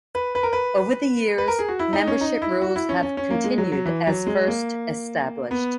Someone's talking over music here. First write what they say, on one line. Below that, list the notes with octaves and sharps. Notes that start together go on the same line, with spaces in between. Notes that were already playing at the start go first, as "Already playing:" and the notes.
Over the years, membership rules have continued as first established.
B4
B4
A#4
B4
B4
A#4
G#4
F#4
E4
D#4
C#4
D#4
E4
F#4
E4
C#4
C#4
C#4
A#3
G#3
F#3
F#3
E3
F#3
G#3
A#3
B3